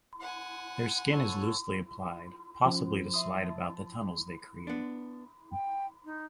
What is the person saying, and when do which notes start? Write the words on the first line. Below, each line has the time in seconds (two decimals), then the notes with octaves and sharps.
Their skin is loosely applied, possibly to slide about the tunnels they create.
0.20 F#5 G#5
1.12 A4 C#5
2.66 F3 C#4
3.14 E5 C6 D#6
3.42 A5
4.67 B3 D4
5.52 G5
6.04 D#4